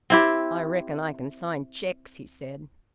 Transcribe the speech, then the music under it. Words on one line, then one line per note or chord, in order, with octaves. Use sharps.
"I reckon I can sign cheques," he said.
C4 E4 G4